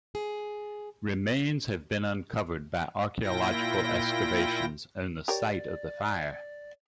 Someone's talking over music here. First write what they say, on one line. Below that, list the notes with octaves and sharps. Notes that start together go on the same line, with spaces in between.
Remains have been uncovered by archaeological excavations on the site of the fire.
G#4
A#2 E4 F4 G5 A#6
G4 A#4 C#5 D5